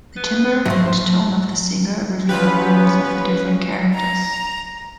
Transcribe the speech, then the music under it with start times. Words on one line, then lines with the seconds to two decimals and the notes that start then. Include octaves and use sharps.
The timbre and tone of the singer reveal the roles of the different characters.
0.16 B3
0.66 B1 G#2 F#3 A3 C5
2.29 E3 B3 C#4 F4 G4 B4
3.94 A#5